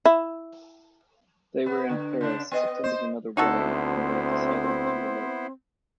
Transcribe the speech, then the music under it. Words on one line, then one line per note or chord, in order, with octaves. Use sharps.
They were in Paris attending another wedding when they decided to elope.
E4
B3
D3
C#3 D4
B3 D#5
C5
D2 B3 C4 D#4 E4 F#4 A4 C5